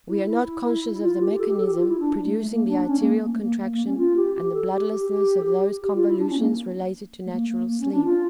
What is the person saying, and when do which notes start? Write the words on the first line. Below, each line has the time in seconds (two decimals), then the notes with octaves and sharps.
We are not conscious of the mechanism producing the arterial contraction and the bloodlessness of those convolutions related to natural sleep.
0.09 E4
0.27 E4
0.93 E4
1.02 F4
1.20 G4
1.39 A4
1.48 G4
1.57 A4
1.67 G4
1.75 F4
1.88 E4
2.00 D4
2.25 A3
2.37 A3
2.50 A#3
2.68 D4
2.87 C#4
2.99 A#3
3.23 A#3
3.33 A3
3.42 A#3
3.60 A#3
3.73 A#3
3.85 C#4
3.97 F4
4.16 G4
4.34 G4
4.53 A4
4.71 G4
4.91 G4
5.09 G4
5.41 A4
5.45 G4
5.82 G4
5.95 F4
6.08 E4
6.19 D4
6.29 C#4
6.38 A#3
7.26 A3
7.31 A#3
7.49 A#3
7.67 A#3
7.80 C#4
7.92 D4
8.05 F4